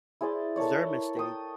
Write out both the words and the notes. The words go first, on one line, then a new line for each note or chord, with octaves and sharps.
their mistake
E4 G#4 C5 D5
A4 A#4 C#5 D5
G5 D#6